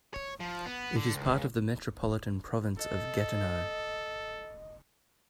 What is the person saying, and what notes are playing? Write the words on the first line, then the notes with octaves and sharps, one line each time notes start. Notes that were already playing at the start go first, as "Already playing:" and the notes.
It is part of the Metropolitan Province of Gatineau.
C#5
F3
B3
D3
C#2
A4 D#5